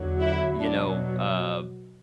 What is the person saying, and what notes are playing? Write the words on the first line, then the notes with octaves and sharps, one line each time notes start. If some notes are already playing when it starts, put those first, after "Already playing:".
you know, uh
Already playing: E2 D3 F#3
E4
B2 F#3 D4